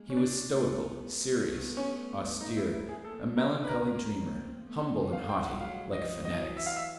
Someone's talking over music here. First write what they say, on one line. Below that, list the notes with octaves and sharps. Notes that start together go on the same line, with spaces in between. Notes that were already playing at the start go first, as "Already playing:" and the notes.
He was stoical, serious, austere; a melancholy dreamer, humble and haughty, like fanatics.
Already playing: G#3 A#3
C#4
D4
A3 B3
A3 B3
C#4
D#4
E4
E4
G#4
A#3 C4 A4
B3 C#4 A#4
B4
B3 C#4 A#4
A#3 C4
A3 B3
G3 A3
F5
G5
F#5
F#3 G#3 F5
F3 G3 D#5
E3 F#3 D#5
E5
F5
E5